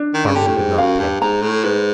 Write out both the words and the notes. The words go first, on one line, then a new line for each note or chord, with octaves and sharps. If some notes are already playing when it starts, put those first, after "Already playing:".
Farming did not pay.
Already playing: D4
D#3
C#3
D3 G4
A2
G#2
F#2 F5
G2
G#2 A#5
A2
G#2 B4